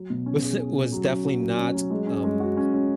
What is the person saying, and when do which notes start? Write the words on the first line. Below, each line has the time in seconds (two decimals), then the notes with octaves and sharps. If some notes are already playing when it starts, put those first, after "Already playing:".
was was definitely not, um,
Already playing: F#3
0.10 B2
0.26 C#4
0.42 G#4
0.60 C#4
0.76 C#4
0.92 F#3
1.09 C#4
1.25 F#3
1.41 F#3
1.58 C#4
1.74 F#3
1.90 G#3
2.07 C#4
2.24 G#3
2.40 F#4
2.57 C#4
2.74 C#4